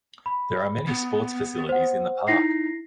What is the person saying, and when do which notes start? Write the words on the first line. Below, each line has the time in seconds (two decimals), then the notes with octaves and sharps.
There are many sports facilities in the park.
0.26 B5
0.87 B3
1.69 C5 F#5
2.28 D#4 E4 A#6 C7